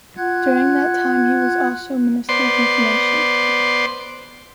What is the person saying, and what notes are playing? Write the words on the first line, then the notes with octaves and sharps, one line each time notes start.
During that time he was also Minister of Information.
F4 F#5 F#6 G#6
B3 C5 D5 C6